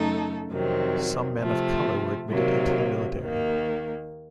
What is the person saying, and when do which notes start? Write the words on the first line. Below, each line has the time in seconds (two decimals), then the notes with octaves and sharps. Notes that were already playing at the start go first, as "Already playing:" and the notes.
Some men of color were admitted into the military.
Already playing: F#2 C#3 A3 D#4 A4
0.51 F2 C3 D#3 F#3 C4
1.40 C3 F3 A3 C4
2.30 C3 D#3 F#3 A#3
3.20 D#2 D#3 A#3